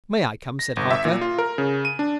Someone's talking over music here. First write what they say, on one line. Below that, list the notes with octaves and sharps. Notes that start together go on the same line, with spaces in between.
"May I come?" said Harker.
A#6
G1
E5
A#2
F4
A#4
C#3
D#7
D4